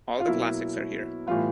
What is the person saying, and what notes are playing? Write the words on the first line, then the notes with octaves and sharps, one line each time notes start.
All the classics are here.
F4
B2 F#3 A#3 E4
A2 E3 G3 B3 F4